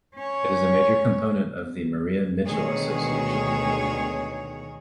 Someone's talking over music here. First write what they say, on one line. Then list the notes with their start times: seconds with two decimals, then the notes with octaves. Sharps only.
It is a major component of the Maria Mitchell Association.
0.17 C#4 C#5
2.46 D2 B2 D#3 G#3 G#4 C#5